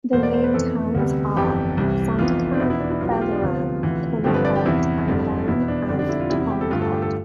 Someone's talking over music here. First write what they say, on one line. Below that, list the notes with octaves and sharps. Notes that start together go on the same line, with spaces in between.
The main towns are Sandakan, Beluran, Kinabatangan, and Tongod.
E2 B2 A3 C5
D5
C5
B4
F2 E3 B3 A4
D2 C3 G3 B3
G1 F2 E3 G3 B3 G4
C2 C3 E3 G3 C4
F1 F2 E3 B3 F4
D4
E2 B2 B3 E4
E4
D4
E4
B1 B2 B3 F4
G4
F4
D4
D2 C3 F3 B3 F4
D2 C3 E3
G1 G2 D3 F3 C4 G4
B4
D5
G4
E2 C3 E3 E4
G1 F2 D3 G3
E2 B2 B3 E4
D4
F2 D3 G3 D4
D4
E4
F4
E2 C3 G3 C4 E4
E4
G4
A4
G2 D3 A3 F4
A4
G4
A4